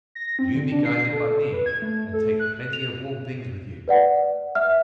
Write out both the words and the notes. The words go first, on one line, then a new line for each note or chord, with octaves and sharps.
"You be guided by me, and take plenty of warm things with you."
A#6
C4
D3
D4
C7
A4
B4
G#6
A3
A4
F#6
F7
B4 D5 F#5
E5 F6